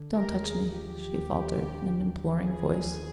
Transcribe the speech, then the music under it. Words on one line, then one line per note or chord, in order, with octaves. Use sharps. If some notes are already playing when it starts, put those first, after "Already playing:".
"Don't touch me...." she faltered, in an imploring voice.
Already playing: D3
G4 A#4
D#2
G#4
F3 G4
D#2
D3
D#2
F3 G#4
D#2